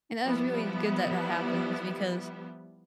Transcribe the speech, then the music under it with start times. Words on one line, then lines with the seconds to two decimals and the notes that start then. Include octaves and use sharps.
And that was really good that, that happens because
0.25 F3 G3 B3 E4